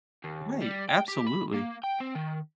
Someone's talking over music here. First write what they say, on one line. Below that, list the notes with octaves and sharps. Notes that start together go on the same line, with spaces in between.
Right, absolutely.
D#2
G3
G5
G4
B5
A#3
G5
C4
D#3